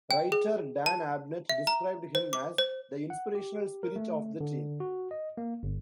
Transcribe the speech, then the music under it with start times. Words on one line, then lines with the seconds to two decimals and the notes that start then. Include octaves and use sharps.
Writer Dan Abnett described him as "the inspirational spirit" of the team.
0.11 G5
0.32 G#4
0.86 A5
1.49 E5
1.67 A#5
2.15 C5
2.33 D6
2.58 C5
3.10 F#5
3.35 G4
3.83 A#4
3.96 A3
4.41 D3
4.80 F#4
5.11 D#5
5.37 A#3
5.63 G1